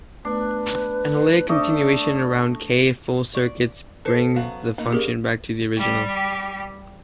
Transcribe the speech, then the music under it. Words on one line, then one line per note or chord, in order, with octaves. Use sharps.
Analytic continuation around "k" full circuits brings the function back to the original.
A3 B3 D4 B4
A3 D4 C5 D5 D#5 D6
D5 C#6
A4 B4 C5 C7
F#2 F#3 B3 F5
B2 A#3 B3 D#4
C#4 G4 G#4 A#4 D5
G3 G4